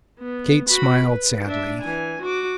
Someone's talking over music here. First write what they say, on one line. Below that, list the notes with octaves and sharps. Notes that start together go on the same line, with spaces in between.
Kate smiled sadly.
B3
F#4 B5
B4
D4 E5
E3 G#5
F#4 D6